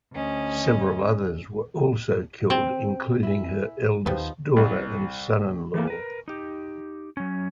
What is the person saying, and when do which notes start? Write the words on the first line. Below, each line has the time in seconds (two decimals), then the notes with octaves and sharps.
Several others were also killed, including her eldest daughter and son-in-law.
0.12 D2 C#4 D#5
2.50 C4
3.23 E4 G#5
4.06 D#2 F3 G3 B3 D#4
4.56 C2
5.74 E3 A3 A#3
5.87 A#4 B4
6.28 D#4 G4
7.17 F#3 C#4